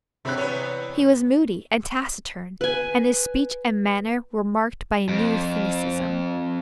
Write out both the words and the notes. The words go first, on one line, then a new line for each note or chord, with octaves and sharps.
He was moody and taciturn and his speech and manner were marked by a new cynicism.
G2 C3 F#3 A3 B5 F#6
E2 B3 C#5
B4 G#5
F2